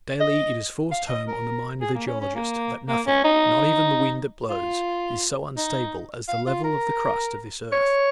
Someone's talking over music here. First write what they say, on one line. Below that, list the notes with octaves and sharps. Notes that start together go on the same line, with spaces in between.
Daily it is forced home on the mind of the geologist, that nothing, not even the wind that blows, is so unstable as the level of the crust of this earth.
D#5
F5
D#5
A#4
G#4
A#3
C#4
C#4
A#3
A#3
C#4
D#4
F4
D#4
F5
F4
A#4
C#5